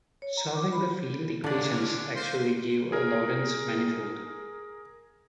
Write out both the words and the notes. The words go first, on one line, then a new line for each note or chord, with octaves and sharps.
Solving the field equations actually gives a Lorentz manifold.
C#5
A#5
D6
B5
D3 G#3 A#3 C#4 D4 D5
C5 F5
G#4 A#4